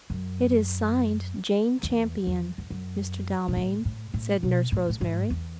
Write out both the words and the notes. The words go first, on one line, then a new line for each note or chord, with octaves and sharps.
"It is signed 'Jane Champion,' Mr. Dalmain," said Nurse Rosemary.
F#2
E2
E2
E2
F#2
B2
A2
A2
A2
B2
A2
A2
G#2
E2